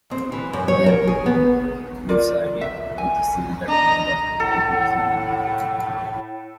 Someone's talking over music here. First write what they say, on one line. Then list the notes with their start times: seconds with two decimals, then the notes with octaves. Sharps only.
Their movements coincided with a similar trend of populism in Europe.
0.11 C4
0.32 E3
0.53 F#2
0.68 C#5
0.86 A#4
1.07 G#4
1.26 B3
2.09 F4 A#4 D5
2.61 E5
2.98 G#5
3.68 D4 D#5 A#5
4.40 A2 A4 F#5